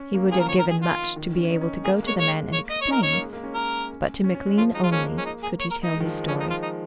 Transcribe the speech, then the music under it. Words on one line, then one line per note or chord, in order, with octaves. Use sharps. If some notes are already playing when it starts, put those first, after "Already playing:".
He would have given much to be able to go to the men and explain, but to McLean only could he tell his story.
Already playing: C#4
A#3
F3 G#4
A#4
D#3 C#5
A#4
G#4
F4
D#3
C#4
C#4
D#4
C#4
C#4
A#3 G#4
G#3
C#5
A#3 C#5
C#5
D#5
C#5
D#4
A#4
C#4 C#5
A#3
G#3
A#3
C#4
C#4 A#4
C#4
C#4
G#3
F3 F4
G#3 D#4
F4
G#3
A#3 C#4
C#4
D#4
G#4
C#5
A#4
D#4
G#3
D#3
F3
G#3
F3 C#4
D#4
F4
D#4